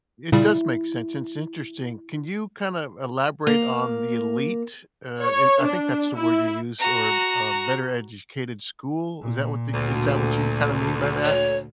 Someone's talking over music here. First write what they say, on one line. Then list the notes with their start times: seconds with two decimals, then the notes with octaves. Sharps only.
it does make sense, it's interesting. Can you kinda elaborate on the elite? Uh, i I think that's the word you used, or, uh, better-educated school? Is that what the is that what you kinda mean by that?
0.32 A#2 C#3 G3 E4
3.47 A#3
5.22 C#5
5.62 D4
6.16 E4
6.79 F#4 A#5
9.22 A#2
9.73 D2
11.24 C#5